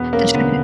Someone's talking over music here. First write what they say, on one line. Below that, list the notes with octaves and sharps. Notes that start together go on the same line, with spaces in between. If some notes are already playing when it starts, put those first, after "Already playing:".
They should d
Already playing: E1 B3
A#3 C#4
D2 D3 B3